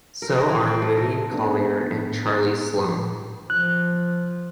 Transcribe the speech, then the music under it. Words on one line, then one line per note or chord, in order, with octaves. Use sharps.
So are Moody Collier and Charlie Sloane.
A#4
A#4
E3
C4
A3
A#4
A3 B3 D4
F3 F#6